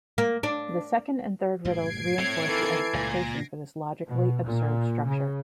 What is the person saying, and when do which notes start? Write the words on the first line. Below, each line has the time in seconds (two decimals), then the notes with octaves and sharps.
The second and third riddles reinforce the expectation for this logically absurd structure.
0.18 A#3
0.43 D4
1.65 F#1 A2 G3 G#6 C7 D7
2.19 A3 C4 C#5
2.48 D#3 E3 A#3 A4
2.94 C#2 A#2 A#6
4.07 B2
4.45 A#2
5.06 C#3